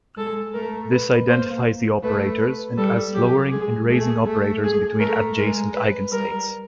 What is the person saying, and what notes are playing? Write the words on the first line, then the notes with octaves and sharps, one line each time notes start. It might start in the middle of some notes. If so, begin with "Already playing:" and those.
This identifies the operators and as "lowering" and "raising" operators between adjacent eigenstates.
G#3 A4
A3 A#4
B4
A#3 C5
A3 B4
B4
G3 A4
F#3 G4
G#3 G#4
A3 G#4
A3
G#4
A3 A#4
G#3 A#4
B4
G3 A#4